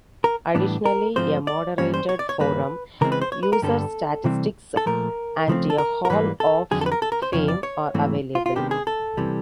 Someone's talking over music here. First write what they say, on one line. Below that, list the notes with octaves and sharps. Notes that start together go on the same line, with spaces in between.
Additionally, a moderated forum, user statistics, and a hall-of-fame are available.
A#4
A2 E3 G3 B3 D4
A#4
G#2 F3 A3 C4 C5
D5
G2 E3 G3 A#3 C#4 C#5
C5
C#5
D5
C#5
G2 D#3 G3 A#3 B4
C#3 E3 G#3 C4 A#4
B4
C5
C#5
B4
A#4
G2 D3 G3 B3 A4
C3 E3 G3 C4
A4
A#2 F3 A3 A#4
C#3 F3 A3 C4
A4
A#4
A#4
G#2 E3 G3 A#3 B4
A4
F2 D3 F#3 G#4
A4
B4
A#4
A4
A#4
C5
F2 C#3 F3 C#5
D5
C#5
G#2 E3 A3 C4
F4
F4
C3 D#3 G#3 B3 D4 G4
G#4
A4
C3 E3 G3